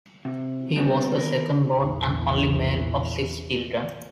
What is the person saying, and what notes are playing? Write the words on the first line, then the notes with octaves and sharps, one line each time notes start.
He was the second born and only male of six children.
C3
G3 B3 C4 D4 F#4 G4
D#3 B3 A#4
A#1 E2 E3